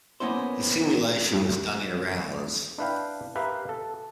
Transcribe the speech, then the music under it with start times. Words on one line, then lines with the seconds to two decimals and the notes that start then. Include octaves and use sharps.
The simulation was done in rounds.
0.20 A#3 B3 C#4 E4 C5
2.78 D4 E4 B4 F5 G5
3.35 G4 A#4 B4 E5 F5
3.69 A4